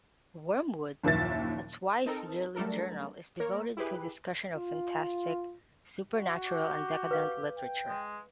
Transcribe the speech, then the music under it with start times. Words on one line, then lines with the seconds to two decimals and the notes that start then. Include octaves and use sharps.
"Wormwood", a twice-yearly journal, is devoted to discussion of fantastic, supernatural and decadent literature.
1.03 F#1 D#2 A#2 F3 E5 A6
2.06 C4 D#4 A4 A#4
2.56 F#3 G3 A3 D4 A4 A#4
3.40 A#3 A#4 C#5
3.77 E4 G4 G#4 B4
4.56 F4
6.11 F#4
6.46 G4
7.11 B4 F5
7.58 G5
7.89 G#3